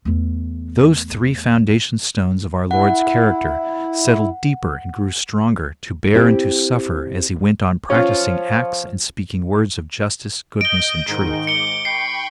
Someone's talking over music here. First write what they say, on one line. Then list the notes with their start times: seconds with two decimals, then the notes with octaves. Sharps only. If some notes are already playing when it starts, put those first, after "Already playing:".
And those three foundation stones of our Lord's character settled deeper and grew stronger to bear and to suffer as He went on practising acts and speaking words of justice, goodness, and truth.
0.05 E2 A3
2.71 E4 F#5
6.14 C4 E4 G4
7.90 F3 C#4 F4
10.61 D#5 G6 D7 G7
11.07 G#2 D#3 D#4
11.47 D6 C#7 G7
11.85 G5 B5 C#6 C7